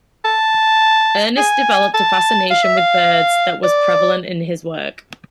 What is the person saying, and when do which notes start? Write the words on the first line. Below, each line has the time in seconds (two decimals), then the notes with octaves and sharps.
Ernst developed a fascination with birds that was prevalent in his work.
0.25 A5
1.37 G#5
1.94 A5
2.51 F5
2.64 E5
2.77 F5
3.64 D5